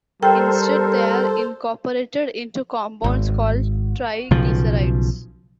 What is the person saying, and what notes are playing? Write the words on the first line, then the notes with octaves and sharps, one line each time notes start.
Instead, they are incorporated into compounds called triglycerides.
G3 A4 A#4 C5 G5
G#1
B1 C#3 F3